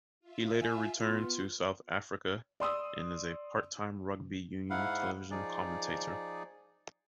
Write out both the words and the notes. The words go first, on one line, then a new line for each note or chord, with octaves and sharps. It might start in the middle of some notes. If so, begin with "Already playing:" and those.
He later returned to South Africa, and is a part-time rugby union television commentator.
F4 E5
G#5
B3 F4
D5 C6 D#6 E6
G#2 E4 F5 F#5
F3 D#4 G#4 D5